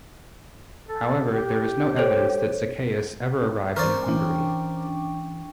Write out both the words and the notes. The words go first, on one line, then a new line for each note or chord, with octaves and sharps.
However, there is no evidence that Zacheus ever arrived in Hungary.
A4
G4
A4 C5 C#5
C4 A#4 C5 D5 C#6
E3 C#4 D4 G5 C#6 D6